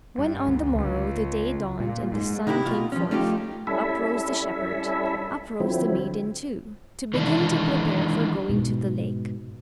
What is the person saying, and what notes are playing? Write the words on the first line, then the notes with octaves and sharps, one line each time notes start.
When, on the morrow, the day dawned and the sun came forth, up rose the shepherd, up rose the maiden too, to begin to prepare for going to the lake.
G2
D2
C#2
A#2
G#2
C3 D#4 E4 G4
B2 F4
F3 C#4
A3 C#4 D#4 F4 G4
G3 C#4 E4 A4 E5
D3 F3 F#3 C4 E4
D#3 E3 G#3 D4
G#2 B2